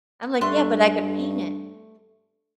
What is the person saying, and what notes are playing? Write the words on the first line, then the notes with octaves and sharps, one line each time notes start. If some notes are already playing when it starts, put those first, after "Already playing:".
I'm like, "Yeah, but I could paint it.
G2 A3 C6 F#6